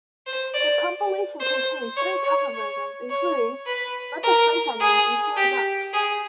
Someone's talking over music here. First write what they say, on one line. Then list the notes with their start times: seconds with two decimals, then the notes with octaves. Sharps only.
The compilation contained three cover versions, including "Let The Sunshine In" and "Hands Up".
0.26 C5
0.54 D5
1.40 C5
1.96 C#5
2.24 C#5
2.53 C#5
3.10 C#5
3.66 B4
4.23 A#4
4.80 G#4
5.36 G4
5.93 G#4